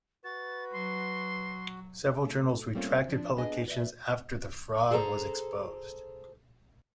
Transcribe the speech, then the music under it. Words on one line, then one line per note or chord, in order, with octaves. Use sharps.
Several journals retracted publications after the fraud was exposed.
F#4 B4 A6
F#3 C6
A3
G3 A3 A#3 C4 C#4 F4
F3 D4
B3 D4 G#4 B4 D#5 G#5
B4 D5 E5
G#4 A4 C5 E5 A#5